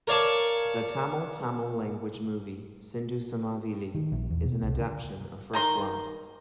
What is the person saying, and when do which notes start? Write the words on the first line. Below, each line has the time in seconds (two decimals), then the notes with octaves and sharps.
The Tamil Tamil language movie "Sindhu Samaveli" is an adaptation of "First Love".
0.07 A#4 C#5 D5 F5 A5 C#6
3.95 D#3
4.12 A#1
4.30 E2
4.46 B2
4.64 C2
4.80 D3
5.53 D#3 A#5 C6